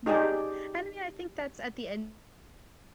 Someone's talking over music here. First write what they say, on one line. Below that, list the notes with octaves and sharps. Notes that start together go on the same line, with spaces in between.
Yeah. And I mean, I think that's at the end
D#4 G4 G#4 D5